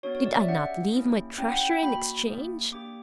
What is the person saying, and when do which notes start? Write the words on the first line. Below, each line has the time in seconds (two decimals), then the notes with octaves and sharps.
"Did I not leave my treasure in exchange?"
0.03 B3 D4 F#4 C#5
0.15 C#5
0.26 D5
0.37 E5
0.48 C#4 G4 F#5
0.93 A#3 C#4 E4 G4
1.38 C#4 E4 G4 G5
1.49 F#5
1.60 G5
1.83 A#3 D4 F#4 B5
2.27 A#3 E4 G4
2.72 A#3 D4 G4 D6